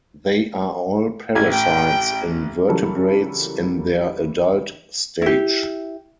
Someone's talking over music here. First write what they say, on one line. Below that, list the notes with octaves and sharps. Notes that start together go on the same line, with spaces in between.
They are all parasites in vertebrates in their adult stage.
A1 G#6
G5
C#3 E3 F#3 G3 A4 A#4
E4 G4